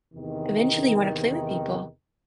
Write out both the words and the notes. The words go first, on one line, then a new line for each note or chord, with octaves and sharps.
Eventually, you wanna play with people.
E2 C3 D#3